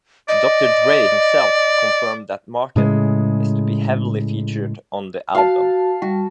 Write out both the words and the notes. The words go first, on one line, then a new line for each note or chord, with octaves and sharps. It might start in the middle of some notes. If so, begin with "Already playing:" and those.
Doctor Dre himself confirmed that Martin is to be heavily featured on the album.
D5 D#5
A2 C#3 G#3
F#4 F5 A5
G3 F#4